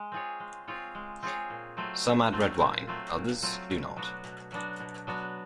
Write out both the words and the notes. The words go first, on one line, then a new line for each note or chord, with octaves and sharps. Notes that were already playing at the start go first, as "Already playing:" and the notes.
Some add red wine, others do not.
Already playing: G#3
C4 F4 G#4 C#5
G#3
C4 F4 G#4 C#5
G#3
C4 F4 G#4 C#5
A#2
F#3 A3 C4 F4
A#2
F#3 A3 C4 F4
A#2
F#3 A3 C4 F4
A#2
F#3 A3 C4 F4
B2
F#3 B3 D4 F#4
B2
F#3 B3 D4 F#4
B2
F#3 B3 D4 F#4